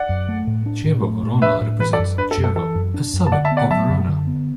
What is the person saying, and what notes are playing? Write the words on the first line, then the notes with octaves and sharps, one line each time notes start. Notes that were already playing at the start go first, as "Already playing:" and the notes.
Chievo Verona represents Chievo, a suburb of Verona.
Already playing: D5 F#5
F#2
A3
A2
D4
A2
A3
A2
D4 B4 E5
A2
E3 B4
A4 D5
F#2
D4 B4
A4
F#2
A4
E3 A4
F#2
D4
F#2
A5
D3 D5 F#5
E5 A5
B3
D5 F#5
F#3 E5 A5
F#2
D3
B3